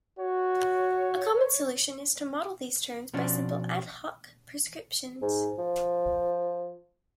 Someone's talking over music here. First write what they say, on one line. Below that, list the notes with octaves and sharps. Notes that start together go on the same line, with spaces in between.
A common solution is to model these terms by simple "ad hoc" prescriptions.
F#4 C#5
B2 F3 C#4 D4
G#2
F3